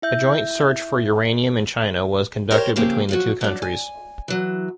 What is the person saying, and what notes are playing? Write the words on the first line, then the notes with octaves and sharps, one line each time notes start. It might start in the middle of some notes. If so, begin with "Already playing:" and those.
A joint search for uranium in China was conducted between the two countries.
E4 E5 G6
G4 A#4 C5 C#5
C#3 F3 A#3 C4 G4 G#4
F3 F#3 F#4
F#3 D4
G#5
E3 F#3